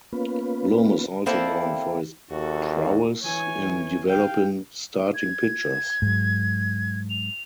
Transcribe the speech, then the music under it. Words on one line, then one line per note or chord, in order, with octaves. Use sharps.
Bloom is also known for his prowess in developing starting pitchers.
A#3 B3 C#4 F4 B4
A#3 C4 E4 A4 D5 G5
D#2 F#4 A4
E3 C#5 G#5
F5 G5
G#6
G#2 F#3
F7